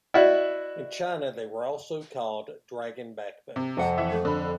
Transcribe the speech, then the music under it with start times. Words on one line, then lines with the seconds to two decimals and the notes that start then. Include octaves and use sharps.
In China, they were also called "dragon backbones".
0.14 E4 F#4 D5 D#5
3.56 C3
3.77 F2 F#5
3.98 E3 E5
4.12 A3
4.25 D3 B5